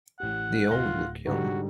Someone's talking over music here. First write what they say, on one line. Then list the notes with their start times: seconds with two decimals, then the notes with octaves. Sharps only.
They all look young.
0.20 A1 G4 F#5
0.71 D1 F4 A#6 G7
1.27 G#2 D3 G3 F#4